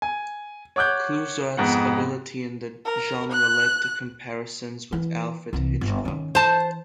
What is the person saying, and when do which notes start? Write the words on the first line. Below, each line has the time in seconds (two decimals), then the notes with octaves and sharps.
Clouzot's ability in the genre led to comparisons with Alfred Hitchcock.
0.02 G#5
0.76 C#5 F#5 D6 F#6 G6
1.57 F2 G#2 B3 F#5
2.85 A#4
3.32 F#6
4.92 E3
5.53 C2 E3
5.81 G1
6.05 D#3 C#4
6.35 E3 C5 A5